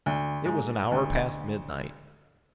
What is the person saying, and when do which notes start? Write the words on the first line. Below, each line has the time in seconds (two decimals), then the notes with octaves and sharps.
It was an hour past midnight.
0.06 D2
0.45 G#2
0.92 D2